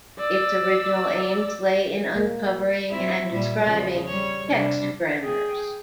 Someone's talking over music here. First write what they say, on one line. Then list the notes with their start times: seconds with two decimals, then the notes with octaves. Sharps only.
Its original aims lay in uncovering and describing text grammars.
0.18 D5 E6
2.16 A#3
2.90 F#3 C4 E4
3.32 A#2 G3 E4
3.64 E2 C#3 F3
4.05 G3 C#5
4.52 C3 G3 D4
5.22 G#4 G5